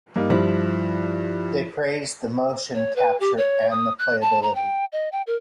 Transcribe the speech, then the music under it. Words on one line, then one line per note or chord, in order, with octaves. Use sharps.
They praised the motion capture and the playability.
G2 A#3 D#4
G2 F3 E4
C#5
B4
G4
C#5
D#6
F#6
A5
A#5
G5
D#5
G5
A#4